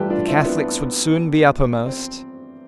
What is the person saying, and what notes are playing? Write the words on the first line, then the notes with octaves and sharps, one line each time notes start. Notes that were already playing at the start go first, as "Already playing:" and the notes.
The Catholics would soon be uppermost.
Already playing: A1 G2 E3 G3 F4 G4 A4 B4
D4 F4
C4 E4
B3 D4
C4